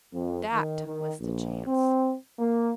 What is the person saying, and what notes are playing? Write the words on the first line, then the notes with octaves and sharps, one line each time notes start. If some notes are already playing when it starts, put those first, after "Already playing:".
THAT was the chance!
F2
D#3
D#3
A#1
C4
A#3